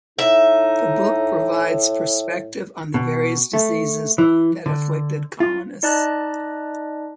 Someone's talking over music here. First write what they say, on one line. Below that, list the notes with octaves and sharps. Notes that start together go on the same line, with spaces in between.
The book provides prospective on the various diseases that afflicted colonists.
A2 D#4 E5
B2
A3
E3
D3
F4
D#4 D5 D#5 A5 F#6